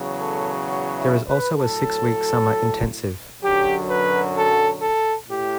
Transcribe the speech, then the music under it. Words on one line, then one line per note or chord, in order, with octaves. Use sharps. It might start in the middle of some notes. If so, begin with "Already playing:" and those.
There is also a Six Week Summer Intensive.
Already playing: E2 C#3 F#3
A4
F#4
E4
B4
A2 F#3 A4
F#2 D3 F#3 G4
B4
A4
A4
A2 G4